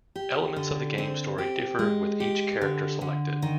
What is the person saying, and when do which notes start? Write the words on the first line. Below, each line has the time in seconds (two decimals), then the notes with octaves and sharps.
Elements of the game story differ with each character selected.
0.16 G4
0.56 D3
0.98 C4
1.38 G4
1.79 G#3
2.20 G4
2.61 D3
3.01 D3
3.42 D#3